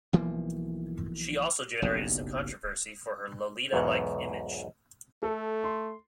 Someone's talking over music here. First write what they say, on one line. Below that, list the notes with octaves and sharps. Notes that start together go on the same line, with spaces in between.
She also generated some controversy for her Lolita-like image.
B1 E3 F3 A#3
F#1 B1 G2
B1 E2 G#2 B2
A3 A4
C6